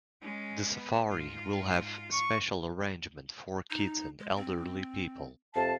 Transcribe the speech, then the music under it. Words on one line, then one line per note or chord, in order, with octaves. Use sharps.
The Safari will have special arrangement for kids and elderly people.
G#3 C#4
B3
G#2 F4
C#6
D#4
G#3
C4
F2 C3 F5 A5